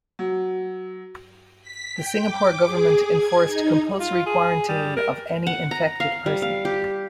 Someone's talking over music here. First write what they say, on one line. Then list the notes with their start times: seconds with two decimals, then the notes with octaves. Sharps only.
The Singapore Government enforced compulsory quarantine of any infected person.
0.19 F#3
1.63 B6
1.96 G5
2.27 D6
2.66 G#4
3.15 G#6
3.47 D#4
4.00 F4
4.26 G#4
4.69 G3
4.97 A#4
5.47 F#5
5.71 A#5
6.00 F5
6.26 G3
6.42 F5
6.65 G4